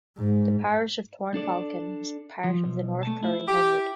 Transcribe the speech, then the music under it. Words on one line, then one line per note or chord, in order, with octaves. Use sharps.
The parish of Thorne Falcon was part of the North Curry Hundred.
G#2
D4 A4 D5
F3
B1
A3 A5
E4
G4